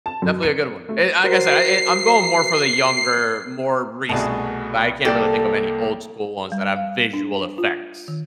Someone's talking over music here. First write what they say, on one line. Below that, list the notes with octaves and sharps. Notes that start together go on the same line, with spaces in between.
It's definitely a good one, and like I said, I I'm going more for the younger, more recent movies, I can't really think of any old-school ones that have visual effects,
A5
F#2
C#7
A3
F#4 A#4 C5 C7
C2 B2 A3 F#4 G#4 A5
C2 A#3 G4 A4 D5
G3
F5
D4
F4
D#3